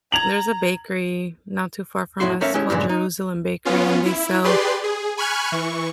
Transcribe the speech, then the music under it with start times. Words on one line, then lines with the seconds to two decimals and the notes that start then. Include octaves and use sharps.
there's a bakery not too far from us called Jerusalem Bakery and they sell,
0.12 A#5 G#6 F7 F#7
2.20 F2 A2 E4 F#4 C6
2.41 A3 C#4 A#4 C#5 E5 F5
2.54 G#3 C#4 E4 G4
2.70 G2 A#2 C#3 E3 G3 G#3
2.89 D#4
3.65 B3 C#4 F4
4.06 E4
4.44 G4 G#4 B4 D5 C6
4.84 G#4
5.17 G#5 B5 C#6 F6 F#6 G#6
5.52 E3 C#6